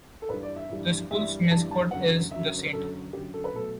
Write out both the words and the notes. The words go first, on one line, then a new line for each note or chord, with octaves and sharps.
The school's mascot is the saint.
A4
G2 E3 G3 B4
D5
E5
G2 E3 G3
G2 E3 G3 E5
G2 E3 G3 A5
A5
F#2 D3 F#3 F#5
F#2 D3 F#3 E5
F#2 D3 F#3 A4
F#2 D3 F#3 G4
A4
B4
B2 F#3 A3 A4